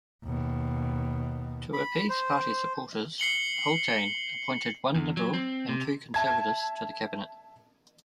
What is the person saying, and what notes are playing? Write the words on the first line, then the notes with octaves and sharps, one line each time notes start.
To appease party supporters, Haultain appointed one Liberal and two Conservatives to the cabinet.
D#2 B2
B5
C5
C7 C#7 F#7 G7
E2
F#3
C4
C3
E5 A5 G#6